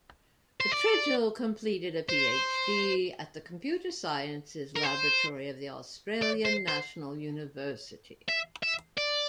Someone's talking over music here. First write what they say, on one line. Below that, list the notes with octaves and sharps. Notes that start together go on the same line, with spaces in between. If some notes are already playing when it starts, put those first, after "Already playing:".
Tridgell completed a PhD at the Computer Sciences Laboratory of the Australian National University.
C5
D5
C5
A#4
C5
D5
C5
C5
E5
E5
D5